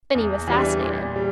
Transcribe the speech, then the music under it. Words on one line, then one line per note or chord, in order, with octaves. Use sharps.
Benny was fascinated.
E2
E3 G3 D4
A#2
G3